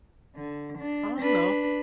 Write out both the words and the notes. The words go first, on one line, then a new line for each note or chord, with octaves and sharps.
Um, no,
D3
D4
D4 B4